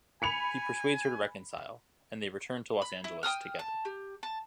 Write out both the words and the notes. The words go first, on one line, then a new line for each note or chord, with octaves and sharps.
He persuades her to reconcile, and they return to Los Angeles together.
G#5 B5 C#7 F7
B5
E4
G5 A5 D#6 F6
A5
G4
A5